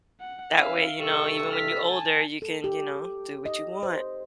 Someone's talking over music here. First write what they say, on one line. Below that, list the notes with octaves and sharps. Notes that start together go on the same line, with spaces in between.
That way, you know, even when you older, you can, you know, do what you want,
F#5
C#4 E4 E5 F5
G2 C3 A4 C#6 E6
F6 B6
G#5 A5
A4
G4
D#5
C5